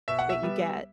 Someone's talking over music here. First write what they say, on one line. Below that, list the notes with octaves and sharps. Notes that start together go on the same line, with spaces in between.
that you get.
B2 E5
F#5
E5
G3 B3